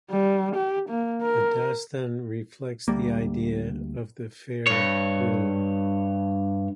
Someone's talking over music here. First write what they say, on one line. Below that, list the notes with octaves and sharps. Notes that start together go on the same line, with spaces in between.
The dastan reflects the idea of the fair ruler.
G3
G4
A#3
A#4
D2 G3 A#3
G2 C#5